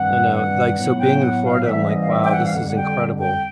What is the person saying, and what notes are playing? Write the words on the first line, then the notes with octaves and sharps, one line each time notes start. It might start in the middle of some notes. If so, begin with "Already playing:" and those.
No, no, like, so being in Florida, I'm like, "Wow, this is incredible."
Already playing: G2 D#3 G3 C4 F#5
F#5
A2 F#3 B3 F#5
G5
F#5
F5
G#2 E3 G3 C4 E5
E5
D#5
F5
E5
G5
F#5
F5
F2 D3 G3 F#5
F#5
G5
G5